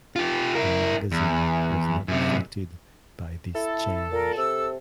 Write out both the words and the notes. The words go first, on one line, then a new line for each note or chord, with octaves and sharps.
The magazine was not affected by this change.
F4 G4
E4 A#4
E2
F#2 C3
E4 A4
A#2 A#4
C3 E6